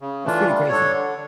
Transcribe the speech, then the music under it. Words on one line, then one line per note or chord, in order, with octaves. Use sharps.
It's pretty crazy.
C#3
E3 A3 D4 F4
G3
D4 A4 C#5
D3